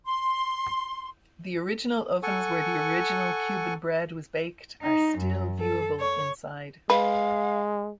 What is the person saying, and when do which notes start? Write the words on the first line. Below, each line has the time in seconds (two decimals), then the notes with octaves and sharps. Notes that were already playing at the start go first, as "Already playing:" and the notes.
The original ovens where the original Cuban bread was baked are still viewable inside.
0.05 C6
2.23 A4 F#5 G#5 C#6
4.83 D#4
5.18 F#2
5.60 A4
6.00 C#5
6.90 G#3 B4 F5